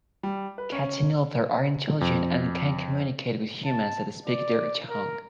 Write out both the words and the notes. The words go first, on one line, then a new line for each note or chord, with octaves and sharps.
Cats in Ulthar are intelligent and can communicate with humans that speak their tongue.
G3
B4
C#4
F2
A5
D5
A#4